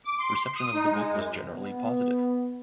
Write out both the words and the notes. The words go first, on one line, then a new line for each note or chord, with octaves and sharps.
Reception of the book was generally positive.
D6
C6
D#6
D#4
G#3
F#2
B3